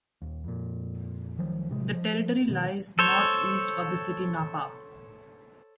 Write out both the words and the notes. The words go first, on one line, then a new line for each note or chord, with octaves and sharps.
The territory lies northeast of the city Napa.
D#1 D#2
F2 A#2
C#2 D#3 F3 F#3
A1 C3 G#3
F3
B2 D#3
A4 C5 C#5